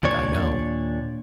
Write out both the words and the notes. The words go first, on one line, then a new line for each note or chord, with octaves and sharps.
D I know.
D#2 A#2 D4 C#5